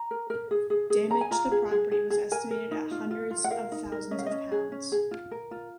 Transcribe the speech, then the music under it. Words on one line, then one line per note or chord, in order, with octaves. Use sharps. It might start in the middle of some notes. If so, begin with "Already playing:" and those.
Damage to property was estimated at hundreds of thousands of pounds.
Already playing: A#5
A#4
A#4
G#4
G#4
G#4
G#4 A#5
G#5
F4 A#5
G#4
G#4
G#4
G#4
A#4 G#5
A#4
D#4
F4
F4
F4
F#5
A#4 F5
D#4
A#4
C#4 D#5
F5
D#5
C#4
G#4
C#4
G#4
F4
A#4
F4